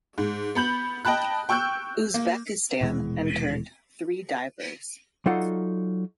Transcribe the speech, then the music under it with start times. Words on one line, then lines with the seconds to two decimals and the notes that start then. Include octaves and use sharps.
Uzbekistan entered three divers.
0.18 G#2
0.55 B3 B5 G6 F#7
1.05 D#5 G5 A5 B5 F#6
1.49 G5 C#6 E6 F#6 G6
2.14 A#3
2.81 D#1 B2 E3 G#3
5.26 F#3 D#4 F4 A4 D5 F#5